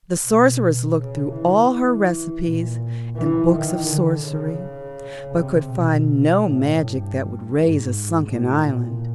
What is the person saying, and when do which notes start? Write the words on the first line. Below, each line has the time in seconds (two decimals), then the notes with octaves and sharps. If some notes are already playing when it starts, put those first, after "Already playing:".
The Sorceress looked through all her recipes and books of sorcery, but could find no magic that would raise a sunken island.
0.24 B2
0.97 C#3
1.33 E3
2.43 A#2
3.16 E3
3.53 D#3
3.89 D3
4.26 C#3
5.35 C3
5.72 B2
6.45 A2
6.81 G2
7.55 G#2
8.28 A2
8.64 A#2